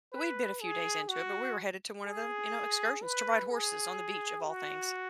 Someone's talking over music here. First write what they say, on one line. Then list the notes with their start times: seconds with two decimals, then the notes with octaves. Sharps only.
we'd been a few days into it, but we were headed to one of them, you know, excursions to ride horses on the beach of all things
0.12 B4
0.61 G#4
1.09 F#4
2.06 G#4
3.02 B4
3.50 G#4
4.47 F#4